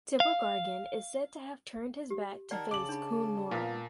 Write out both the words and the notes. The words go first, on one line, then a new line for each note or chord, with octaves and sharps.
Tibrogargan is said to have turned his back to face Coonowrin.
F5
G4
D#3 A#4 D5 F#5 G5 A5
C#3 D6 F#7
D4 B5
A#2 B3 F4 A#4 B4 F5